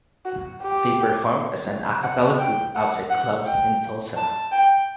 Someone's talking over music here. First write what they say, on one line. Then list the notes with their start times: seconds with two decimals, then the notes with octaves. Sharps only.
They performed as an a cappella group outside clubs in Tulsa.
0.25 F#4
0.62 G4
2.03 F#5
2.39 G5
2.75 F#5
3.10 F#5
3.46 G5
4.16 A5
4.52 G5